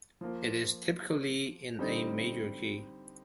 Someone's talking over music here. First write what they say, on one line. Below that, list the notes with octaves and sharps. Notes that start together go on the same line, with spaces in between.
It is typically in a major key.
F3 A#3 F4
D3 G3 C4 D#4